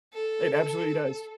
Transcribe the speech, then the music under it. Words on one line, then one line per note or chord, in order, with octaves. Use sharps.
It absolutely does.
A4